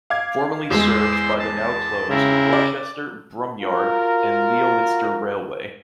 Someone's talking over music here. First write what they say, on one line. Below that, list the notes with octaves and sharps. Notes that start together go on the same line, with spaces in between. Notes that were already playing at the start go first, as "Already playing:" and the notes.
Previously served by the now closed Worcester, Bromyard and Leominster Railway.
F5 D6 G#6
E2 G#3 C5 C6 E6
A5
C#3 C4 E4 A#4
D5
F4 F#4 A#4